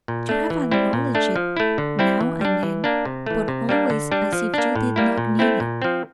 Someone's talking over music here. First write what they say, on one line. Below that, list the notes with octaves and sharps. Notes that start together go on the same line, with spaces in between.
You have acknowledged it now and then, but always as if you did not mean it.
A#2
A3 D4
E3
G3 C4 E4
A#2
A3 D4
F3
A3 E4
D3
G3 C4 E4
E3
G3 D4
E3
A#3 D4
C3
E3 A3
C3
G3 A#3 D4
D3
G3 D4
F3
A#3 D4
A2
G3 A#3 E4
A#2
A3 C4 E4
A#2
F3 C4